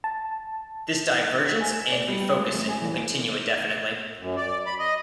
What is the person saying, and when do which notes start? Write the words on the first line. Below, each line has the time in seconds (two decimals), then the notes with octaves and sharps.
This divergence and refocusing will continue indefinitely.
0.04 A5
1.46 B6
1.61 G#5
1.72 E7
1.92 D5
2.08 G3
2.21 G5
2.39 G#3
2.54 A1
2.69 G#5
2.82 E3
2.98 D7
4.20 F#2
4.36 D5
4.66 B5
4.79 D#5